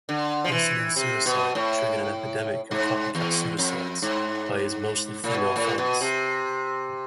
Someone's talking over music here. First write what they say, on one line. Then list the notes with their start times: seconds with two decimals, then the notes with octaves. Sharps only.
Yesenin's suicide triggered an epidemic of copycat suicides by his mostly female fans.
0.09 D3
0.44 F3
0.52 E3
0.96 C3
1.26 B2
1.55 A2
2.71 G#2
3.15 E2
3.58 F2
4.02 G#2
5.24 A2
5.35 B2
5.56 A2
5.78 B2
6.01 C3